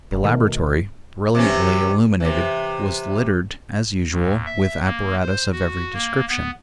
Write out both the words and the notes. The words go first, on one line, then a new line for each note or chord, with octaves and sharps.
The laboratory, brilliantly illuminated, was littered, as usual, with apparatus of every description.
F1
B2 D#3 A3 A#4
C3 E3 C#4
C3 E3
D#2
E5
A#3
C5
F#4
A#3
B3